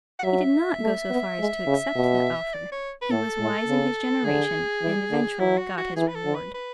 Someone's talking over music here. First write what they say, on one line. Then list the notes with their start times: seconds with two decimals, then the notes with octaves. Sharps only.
He did not go so far as to accept that offer: he was wise in his generation, and eventually got his reward.
0.19 F#5
0.24 F#3 E5
0.82 A3
1.10 B3
1.39 G#3
1.67 C#3
1.96 B2
2.54 D5
2.72 C#5
3.02 B4
3.11 A2 A4
3.40 A2
3.68 C#3
4.24 D3 G#4
4.82 E3
5.11 D3
5.39 F#3 E4
5.58 F#4
5.78 F#4
5.96 E3 G#4
6.08 B4
6.15 A4
6.25 D3
6.35 B4
6.54 B4